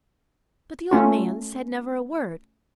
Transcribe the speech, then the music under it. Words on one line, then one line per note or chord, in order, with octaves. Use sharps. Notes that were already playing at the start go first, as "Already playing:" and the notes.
But the old man said never a word.
A3 C#4 F4